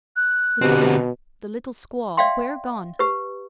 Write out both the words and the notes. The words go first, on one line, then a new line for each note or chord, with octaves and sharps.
"The boy, the little squaw,--where gone?"
F#6
B2 D3 C4 G4
D5 E5 F5 G5 C6
G4 B4